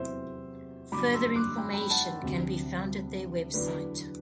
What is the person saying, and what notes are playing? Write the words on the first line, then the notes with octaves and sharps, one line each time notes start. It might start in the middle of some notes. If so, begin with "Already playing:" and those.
Further information can be found at their website.
Already playing: E2 C3 F#3 C5 E5
G2 D3 F#3 B5 D6
C6 E6
D6 F#6
G5 B5
G5 B5
F#5 A5
D2 C3 F#3
E2 D3 F#3 B4 D5